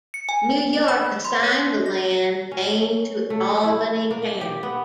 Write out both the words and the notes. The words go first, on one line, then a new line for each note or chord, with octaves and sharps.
New York assigned the land gained to Albany County.
C#7
G#5
B5
C6
C#5
A#6
C#4
A3
E4
A#3
G4
B3